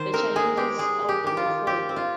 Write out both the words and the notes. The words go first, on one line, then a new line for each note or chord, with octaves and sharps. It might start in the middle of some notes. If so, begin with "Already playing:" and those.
The challenges of reform.
Already playing: D#3 C5
C4 A#4
G#3 G#4
G#3 G4
G#3 G#4
G#3
G4
D#3 G4
F4
D#3
C4 G4
C4
F4